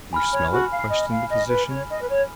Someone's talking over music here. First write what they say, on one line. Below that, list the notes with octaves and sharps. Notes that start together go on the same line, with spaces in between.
"Do you smell it?" questioned the physician.
G#5 B5 F6
C#5
F#4
F5
D#5
F5
D#5
B4
C#5
D#5
B4
C#5